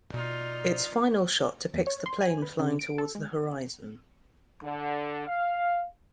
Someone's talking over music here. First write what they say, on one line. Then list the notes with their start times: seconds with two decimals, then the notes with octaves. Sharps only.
Its final shot depicts the plane flying towards the horizon.
0.14 B2 D#4 F4 D5
1.74 E2
1.87 C#5
2.06 C6
2.21 G#5
2.42 B4
2.59 C#3
2.79 D7
2.98 A4
3.15 G#3
4.63 D3
5.27 F5